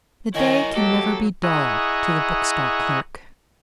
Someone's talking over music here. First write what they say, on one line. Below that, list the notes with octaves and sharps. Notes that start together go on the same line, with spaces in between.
The day can never be dull to the bookstall clerk.
D#3 E4 A#4 C#5 D#5 G#5
F#3 A#3 G4 A4
E4 G#4 D#5 F#5 A#5 C#6